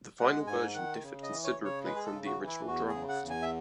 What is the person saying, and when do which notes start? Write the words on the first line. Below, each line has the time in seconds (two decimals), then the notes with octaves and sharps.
The final version differed considerably from the original draft.
0.20 G#3 F#5
0.47 G#2 G#5
0.74 D#3 F#5
1.02 C#3
1.23 D#5
1.30 E3
1.44 C#5
1.57 C#3
1.65 C#5
1.85 G#3 B4
1.96 G#4
2.05 A4
2.12 C#3
2.26 F#4
2.40 E3
2.46 E4
2.67 E2 F#4
2.88 G#4
2.95 C#3
3.09 F#5
3.23 E2
3.30 G#5
3.43 E5